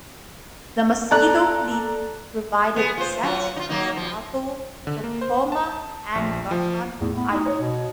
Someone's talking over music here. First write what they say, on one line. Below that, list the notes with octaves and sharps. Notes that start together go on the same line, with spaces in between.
The Mosquito Fleet provided access to Seattle, Tacoma, and Vashon Island.
A4 D5 A#5 F#6
B3 G#4
F4 C5
F#3 F4 F#4
D#4 F4
F#3 A#3 D#4
F3
D3
A#3
C5
A5
A#1
F3
E2 A2
B3
D#4
C#5
B2